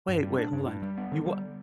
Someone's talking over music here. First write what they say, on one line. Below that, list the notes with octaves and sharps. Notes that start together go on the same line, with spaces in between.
Wait, wait, hold on, you wha
G2
G3
D4
G2
G2
G3
B3
D3
G3